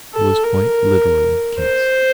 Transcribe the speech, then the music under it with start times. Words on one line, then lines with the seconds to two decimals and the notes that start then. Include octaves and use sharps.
It was quite literally the case.
0.15 A4
0.44 A#4
1.59 C5